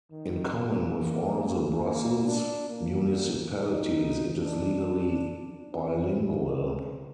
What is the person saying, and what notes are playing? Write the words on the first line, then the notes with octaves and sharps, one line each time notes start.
In common with all the Brussels municipalities, it is legally bilingual.
D#3
A#3
A#3
D4
A#3
D#4
D4
C4
G3
C3